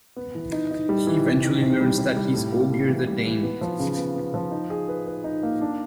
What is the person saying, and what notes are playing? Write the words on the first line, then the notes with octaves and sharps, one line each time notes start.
He eventually learns that he is Ogier the Dane.
B3
E3
D#4
D#4
G3
E3
C3
D#3
C3
G3
C3
G3
A2
A#3
A2
E3
G3
E3
B3
F3
C#3
B3
B3
F3
D#4
G#4
B4
B4
D#4
A#3
D4